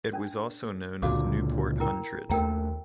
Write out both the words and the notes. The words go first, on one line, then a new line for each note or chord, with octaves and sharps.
It was also known as Newport hundred.
C#4 D4
C#2 A#2 D3 F#4 F5 D6
E4 A#4 G5
D#2 A3 A#4 G5 A#5